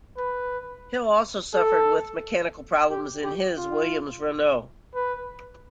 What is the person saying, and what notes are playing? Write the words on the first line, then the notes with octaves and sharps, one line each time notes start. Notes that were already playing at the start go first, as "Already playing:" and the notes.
Hill also suffered with mechanical problems in his Williams-Renault.
B4
A4
G4
G4
F4
B4